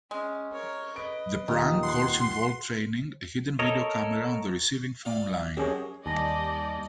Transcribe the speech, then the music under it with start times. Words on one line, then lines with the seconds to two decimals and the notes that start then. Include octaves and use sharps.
The prank calls involved training a hidden video camera on the receiving phone line.
0.11 G#3 C#4
0.53 A#4 C#5
0.96 B4 D#5 D7
1.48 D#2 A#2 D#4
1.83 F#5 C6
3.59 A4 A#4 C#5 D#5
5.05 F4 D5
5.57 F#2 G4 G#4 C#5
6.06 D#2 G3 D5 D#5 G#5 A5 A#6